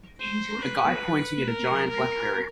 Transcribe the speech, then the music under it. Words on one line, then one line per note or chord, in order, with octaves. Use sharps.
A guy pointing at a giant Blackberry.
C5
B4
A#4
A#4